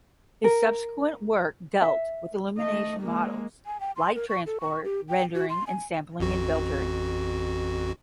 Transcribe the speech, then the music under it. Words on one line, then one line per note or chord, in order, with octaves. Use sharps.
His subsequent work dealt with illumination models, light transport, rendering, and sampling and filtering.
A#4
E5
A3 D#5
G#3 A#3
G#5
G5
C6
A#4
C#6
A4
C#6
G4
G5
F#4
C6
G#5
A1 F2 F#4